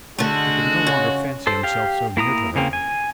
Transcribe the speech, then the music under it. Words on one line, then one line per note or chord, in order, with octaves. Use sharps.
He could no longer fancy himself so near to her.
D3 G#3 A3 F#4
C#3
A4 C5
G4 F5
A#3 E4 A#5 D#6
C#3 A#3 C4
G#5